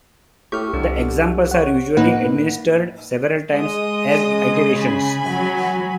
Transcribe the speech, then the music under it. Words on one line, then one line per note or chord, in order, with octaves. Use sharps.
The examples are usually administered several times as iterations.
A2 G4 C#6 F6
C2 D3 G4
C#5 F#5
A2 A#3 D#4 B4 F#5
G#3 D#5 D#6
C#3
G#5 B5
F#3